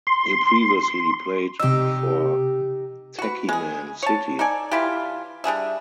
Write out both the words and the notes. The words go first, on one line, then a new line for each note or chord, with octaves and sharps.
He previously played for Techiman City.
C6
C3 D#4 G4 E6
F#4 B4
G#3 G#4
C#5 A5
D#4 A4 D5 G#5
E3 E4 F4 G4
G3 D4 G#4 E5